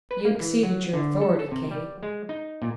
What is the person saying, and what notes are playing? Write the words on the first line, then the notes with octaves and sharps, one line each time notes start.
"You exceeded your authority, Katie."
B4
A#3
E3
F#3
D3
A4
A4
C3
G3
G#3
D#4
A#2